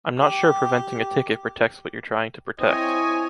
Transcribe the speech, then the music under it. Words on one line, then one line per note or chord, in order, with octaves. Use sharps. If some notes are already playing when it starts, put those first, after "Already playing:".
I’m not sure preventing a ticket protects what you’re trying to protect.
G4
C4 E4 C#5 D#5 G#5